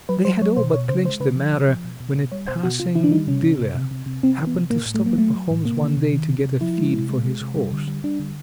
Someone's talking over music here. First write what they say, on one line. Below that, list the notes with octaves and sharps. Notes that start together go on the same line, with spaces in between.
They had all but clinched the matter, when a passing dealer happened to stop at Pahom's one day to get a feed for his horse.
F#3 B4
F#3 C5
F#3 C#5
B2 C5
B2 C#5
C#3 C5
G#3 C5
C#3 B4
F3
C#3
F3
B2
B2
B2
G3 C#5
B2 C5
B2 F#4
C3 F4
D#3 E4
D4
G3 D#4
C3 C#4
C3
C3
C3
C3
C3
C3 C4
E3
B3
C3
A2 A#3
A2
A3
F#3 A#3
F#3 A3
F#3
A2
C3 A#3
D#3
C3
D#3
C3
C3
F3 E4
G#3
C3
G#3
G#3
C3
G3
D3
G3
G3 D4
D3